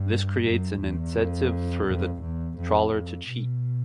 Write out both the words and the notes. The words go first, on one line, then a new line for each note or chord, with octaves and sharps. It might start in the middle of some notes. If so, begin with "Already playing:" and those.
This creates an incentive for the trawler to cheat.
Already playing: G2
F#2
E2
F2
F2
E2
F2
F2
B2